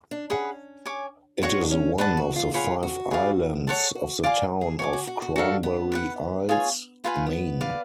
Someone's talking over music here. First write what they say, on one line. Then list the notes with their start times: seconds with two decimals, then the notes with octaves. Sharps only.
It is one of the five islands of the town of Cranberry Isles, Maine.
0.11 D4
0.30 C#4 G#4 B4 F#5
0.86 C#5 G#5 D6
1.42 D4 F#4 C#5 F#5 C#6
1.53 F4
1.61 D4
1.71 C#4
1.98 D4 B4 F#5 A5
2.17 F#4
2.36 F4
2.54 F4 G#4 C#5 F#5 B5
2.83 F#4
3.11 G#4 B4 D5 F5
3.67 G#4 A4 C#5 F#5 A5
3.95 F#4
4.24 F4 D5 F5 G#5 D6
4.61 G#4
4.79 F#4 C#5 G#5 D6
4.93 F#4
5.07 F#4
5.22 F#4
5.36 D4 F#4 A4 F5
5.63 B3
5.92 B4 D5 F#5
6.49 F4 G#4 C#5 G#5
7.04 B3 F4 B4 F5 G#5
7.15 A3
7.26 B3
7.61 B4 D5 F5